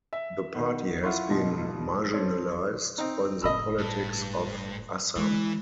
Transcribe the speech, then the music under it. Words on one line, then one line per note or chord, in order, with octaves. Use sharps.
The party has been marginalized in the politics of Assam.
E5
D#3 B3
E4 F4 E5 F#5 C6 C#6
G2 B2 D#4 F4
C4 A4 C#5
C4 D#4
F#1 A2 D#5 B5 E6
G2
E3 G#3